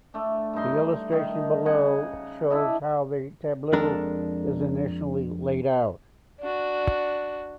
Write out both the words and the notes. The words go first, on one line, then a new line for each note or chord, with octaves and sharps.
The illustration below shows how the tableau is initially laid out.
A3 D4
G2 A3 D#4 C6
D#3 D#4
C#3 D#5 F#5 G#5
D4 E4 A4 D#5
F2 G#3 D4 A4 A#4
D4 F#4